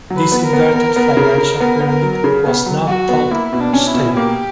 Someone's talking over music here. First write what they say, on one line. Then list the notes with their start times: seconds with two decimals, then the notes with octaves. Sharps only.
This inverted financial pyramid was not thought stable.
0.10 F#3
0.17 B4
0.32 B3
0.46 A#4
0.53 B3
0.74 B3
0.96 B3
1.17 C#3
1.38 C#3
1.60 B3 A#4
1.81 B3
1.89 A#4
2.02 F#3
2.24 C#3
2.46 B3
2.66 F#3
2.88 F#3 F#4
3.09 B3
3.31 A#3 E4
3.53 B2
3.60 D4
3.73 C#4
3.87 E4
3.94 B2
4.16 A#3 G4